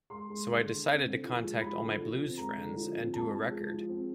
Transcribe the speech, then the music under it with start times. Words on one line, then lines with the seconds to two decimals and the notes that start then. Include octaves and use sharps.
So I decided to contact all my blues friends and do a record.
0.10 G#3 C6
0.30 G#3
0.48 D3
0.68 D3
0.86 C4
1.05 D3
1.24 F3
1.43 G#3
1.61 F3 B5
1.80 D3
2.00 F3
2.19 C4
2.37 G#3 A#5
2.57 D3
2.76 F3
2.94 C4
3.13 G#3 A5
3.32 F3
3.52 G#3
3.70 F3
3.89 C4